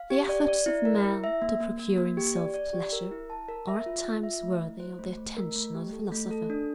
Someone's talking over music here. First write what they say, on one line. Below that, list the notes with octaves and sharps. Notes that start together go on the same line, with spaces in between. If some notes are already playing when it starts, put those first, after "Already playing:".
The efforts of man to procure himself pleasure are at times worthy of the attention of the philosopher.
Already playing: F5
G4
D5
D5
E4
A#4
E4
E5
A#3
A#3
A#3
A#3
G4
D5
D5
G4
A#4
E4
A5
A#4
E5
F4
F4
E5
A3
E4
C5
A3
A3
A#4
A3
G4
A4
A3
A4
D4